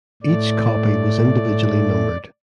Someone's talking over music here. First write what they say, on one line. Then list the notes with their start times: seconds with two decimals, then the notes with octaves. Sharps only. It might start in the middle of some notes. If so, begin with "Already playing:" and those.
Each copy was individually numbered.
0.23 A2 A3 D5